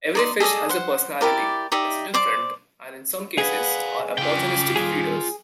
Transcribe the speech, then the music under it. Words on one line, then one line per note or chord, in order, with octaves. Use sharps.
Every fish has a personality, is different, and, in some cases, are opportunistic feeders.
D#4 D5 C6
G#4 A4 D5 D#5
C5 F#5
E4 G4 A#4 D5
D#4 G4 D5 E5
C5 D5 D6
G#4 B4 D5 F5 F#5
C#3 F4 F5 G5 D6 B6
D#3 G3 G#4